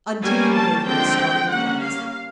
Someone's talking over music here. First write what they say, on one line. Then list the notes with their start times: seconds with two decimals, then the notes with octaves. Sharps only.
Undine gave him a startled glance.
0.23 G3 A#3 C#4 G#5
0.54 A5
0.87 D3 F3 G#3 C4 G5
1.50 G3 A#3 C#4 F#5
1.82 F5